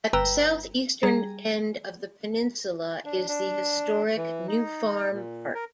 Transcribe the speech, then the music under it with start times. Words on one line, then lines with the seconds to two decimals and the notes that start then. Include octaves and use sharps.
At the south-eastern end of the peninsula is the historic New Farm Park.
0.13 G1 B4 G5 A#5 E6
1.03 G3 G#4 A#5
3.05 D4
3.28 D4
4.17 E3
4.47 D#4
5.13 A#2
5.55 A#4